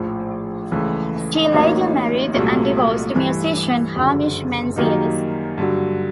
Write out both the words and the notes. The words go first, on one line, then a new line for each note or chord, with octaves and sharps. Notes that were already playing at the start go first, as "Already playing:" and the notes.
She later married and divorced musician Hamish Menzies.
Already playing: A#1 A2 F3
C#2 C#3 E3 A3
A1 A2 F#3 A#3 D#4
C2 A#2 F#3 A3
G2 E3 A3
F#1 F#2 D3
F#2 D#3 G3 A#3 D#4
G2 D3 F#3